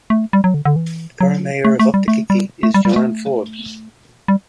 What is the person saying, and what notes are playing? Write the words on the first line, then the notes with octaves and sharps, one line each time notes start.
The current Mayor of Opotiki is John Forbes.
A3
G3
F#3
D3
D3
E3
F#3
A3
A3
G3
A3
G3
A3
G3
G3
A3
G3